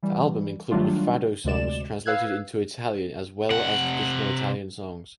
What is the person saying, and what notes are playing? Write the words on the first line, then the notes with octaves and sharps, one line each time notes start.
The album included fado songs translated into Italian as well as traditional Italian songs.
E3 G3
D#3 F#3 G3 A3 D4 F4
D2 C3 G#3 D5 E7
B4 F5 E6 F#6 G#6
C3 F#5